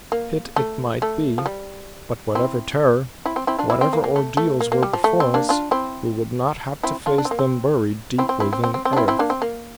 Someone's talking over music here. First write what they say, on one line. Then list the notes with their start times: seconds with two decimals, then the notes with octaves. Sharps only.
Pit it might be, but whatever terror, whatever ordeals were before us, we would not have to face them buried deep within earth.
0.12 A#3
0.56 A3
1.02 A3
1.38 F3
1.46 G3
2.35 C4 E4
3.26 C4 E4
3.36 C4
3.47 C4 E4
3.59 D4 F4
3.70 C4 E4
3.81 C4
3.93 A#3
4.04 A#3
4.16 A3
4.37 A3
4.61 A#3
4.72 A#3
4.83 G3
4.93 F3
5.04 A3
5.20 C4
5.34 A#3 D4
5.49 D4 F4
5.71 C4 E4
6.83 C4 E4
7.06 D4 F4
7.18 D4
7.25 C4
7.31 A#3
7.39 C4
8.18 C4 E4
8.29 C4
8.40 C4 E4
8.53 C4
8.64 C4
8.74 C4
8.85 C4
8.93 D4
8.96 C4 E4
9.08 C4 E4
9.19 A#3 D4
9.30 C4
9.42 A#3